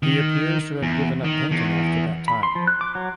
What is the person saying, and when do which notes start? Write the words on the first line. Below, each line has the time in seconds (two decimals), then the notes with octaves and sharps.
He appears to have given up painting after that time.
0.03 D#3
0.83 E2
1.25 D#3
1.52 E2
2.28 B5
2.43 C6
2.55 F3
2.67 F#6
2.81 D6
2.95 F#3